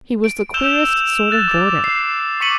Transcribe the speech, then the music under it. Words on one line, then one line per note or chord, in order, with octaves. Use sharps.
He was the queerest sort of boarder!
D7
E6 G6 E7 F7 G7
F#6 A6 E7
D6
C7
C#6 D6 B6 C#7 D#7 F#7